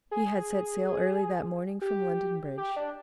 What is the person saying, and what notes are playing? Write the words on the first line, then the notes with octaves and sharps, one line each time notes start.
He had set sail early that morning from London Bridge.
G#4
G4
G4
D4